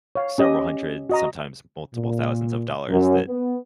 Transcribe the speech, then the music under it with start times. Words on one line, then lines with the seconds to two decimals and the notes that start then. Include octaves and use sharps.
several hundred, sometimes multiple thousands of dollars that
0.15 C#5 F5
0.38 C#4 G4 D#5
1.09 F#4 D#5 A#5
1.94 A#2
2.89 F#2
3.28 B3